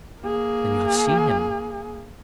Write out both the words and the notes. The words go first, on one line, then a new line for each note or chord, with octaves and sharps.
"Then you have seen him?"
A#3 G#4